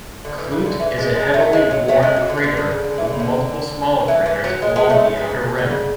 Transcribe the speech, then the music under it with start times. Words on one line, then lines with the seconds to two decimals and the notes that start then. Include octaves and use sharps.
Klute is a heavily worn crater with multiple smaller craters along the outer rim.
0.25 D3
0.38 E3
0.52 C#3
0.66 D3
0.80 E3
0.98 G#3
1.15 G#3
1.34 F#3 A3
1.53 G#3
1.71 F#3
1.89 F#3 A3
2.03 G#3
2.16 F#3
2.30 D3
2.37 E3
2.43 D3
2.57 D3
2.71 C#3
2.85 D3
2.98 E3
3.05 D3
3.12 C#3
3.20 D3
4.08 E3
4.26 E3
4.44 F#3
4.62 G#3
4.76 G#3 B3
4.90 A3 C#4
5.17 G#3 B3
5.31 C#3
5.58 D3
5.71 C#3